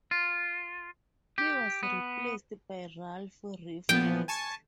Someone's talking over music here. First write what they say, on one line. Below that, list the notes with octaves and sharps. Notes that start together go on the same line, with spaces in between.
He was replaced by Ralph "Riff" West.
F4
G4
B3
A#2 F3 B3 G5
G#5 A5 C#6